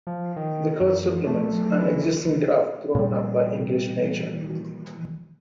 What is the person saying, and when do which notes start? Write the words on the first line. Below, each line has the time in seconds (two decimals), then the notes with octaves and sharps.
The code supplements an existing draft drawn up by English Nature.
0.07 F3
0.36 D#3
0.80 F#2
1.27 A3
1.79 E3
2.95 A#2 G3